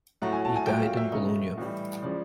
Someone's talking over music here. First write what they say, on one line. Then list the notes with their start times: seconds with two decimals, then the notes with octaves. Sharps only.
He died in Bologna.
0.22 A2 F#3 A3 F#5
0.33 G#5
0.45 A5
0.56 G#5
0.67 A#2 F#3 A3 G5
0.82 F5
0.97 E5
1.12 C#3 F#3 A3 D#5
1.57 A2 E3 G3
2.02 C#3 F3 G#3 D5